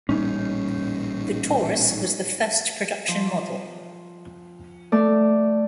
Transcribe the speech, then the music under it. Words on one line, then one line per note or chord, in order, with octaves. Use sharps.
The "Taurus" was the first production model.
A1 A#2 G3 C#4 D#4
F3
A3 D5